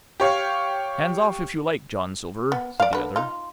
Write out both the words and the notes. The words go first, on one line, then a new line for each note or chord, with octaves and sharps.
"Hands off, if you like, John Silver," said the other.
G4 C#5 F5
B3
D5 F5
D3 B4
D#4 F4